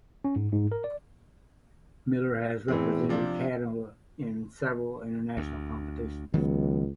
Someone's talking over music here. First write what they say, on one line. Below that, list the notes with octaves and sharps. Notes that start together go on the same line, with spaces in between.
Miller has represented Canada in several international competitions.
C#4
G#2
G#2
A#4
D5
E2 A2 E3 C4
C3 F3 D4
D2
C#2 D#3 F#3 B3